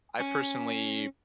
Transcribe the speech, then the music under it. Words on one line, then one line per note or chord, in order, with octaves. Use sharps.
I personally
C#4